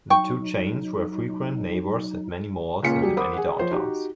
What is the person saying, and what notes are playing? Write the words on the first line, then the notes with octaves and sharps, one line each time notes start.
The two chains were frequent neighbors at many malls and in many downtowns.
F#3 D#4 G5 C#6
C#2 A#2 C#4 F4 B6 C#7
F#3 G3 G4 G#4
A#4 C5 F#5 B5 D6 D#6
G#4 F#5
F3 C5 C#5
D#4 F#4 G4